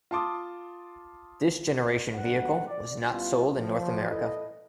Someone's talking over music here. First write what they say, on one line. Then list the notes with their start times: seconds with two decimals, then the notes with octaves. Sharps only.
This generation vehicle was not sold in North America.
0.11 F4 A5 C6 D6 D#6
2.16 D2 G2 A#2 F#3 B4 F#5
2.67 D5
3.03 G3 B3 C#4 E4 F4
3.57 F3
4.09 E4 A4 B4 D#5